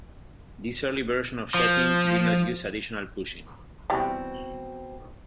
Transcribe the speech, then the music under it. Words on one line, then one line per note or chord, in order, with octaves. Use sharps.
This early version of jetting did not use additional pushing.
F3
B2 E3 G3 C4